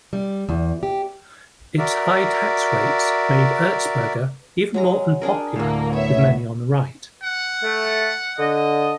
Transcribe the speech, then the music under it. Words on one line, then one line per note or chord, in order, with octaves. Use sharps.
Its high tax rates made Erzberger even more unpopular with many on the right.
G3
E2
G4
F#4 A#4 D5 E5
F#3 G#3 A#5
D4 G#4 A#4
D2 A2 A#3
B3 C#5 E5
F#5
A3
D3 D#5